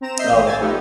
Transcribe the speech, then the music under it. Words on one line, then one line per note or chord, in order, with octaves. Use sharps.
Oh, it
C4 A#5 E7
D#5 E5 D#6 G6 C7
A1 C5 D#6
G#5 E6 A6
F3 A3 B3 D#4 G4